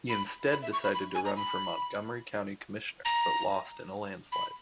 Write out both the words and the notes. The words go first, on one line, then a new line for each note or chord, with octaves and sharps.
He instead decided to run for Montgomery County Commissioner, but lost in a landslide.
B5
B5
E5
C#6
B5
B5
G#5
A#5
B5
A#5
B5